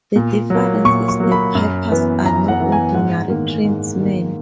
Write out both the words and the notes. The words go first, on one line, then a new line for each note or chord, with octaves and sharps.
The difference is the pipers are no ordinary tradesmen.
A#2
F#3 A#3
A#2 C#6
C#6
F#3 A#3
B5
F#2
E3 B3
F#2 A#5
F#5
E3 B3
G#5
G#2 F#5
D#3 A#3
G#2
D#3 A#3